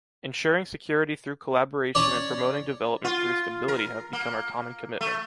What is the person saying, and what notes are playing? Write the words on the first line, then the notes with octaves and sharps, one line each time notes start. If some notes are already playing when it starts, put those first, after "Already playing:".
Ensuring security through collaboration and promoting development through stability have become our common commitment.
C#4 C#5 D5
F4
A#4
A#3
A3